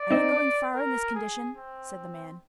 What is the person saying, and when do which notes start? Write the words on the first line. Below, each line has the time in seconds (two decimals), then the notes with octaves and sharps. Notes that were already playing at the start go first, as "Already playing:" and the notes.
"Are you going far in this condition?" said the man.
Already playing: D5
0.11 C4 D#4
0.73 A#4
1.14 G#4
1.57 C4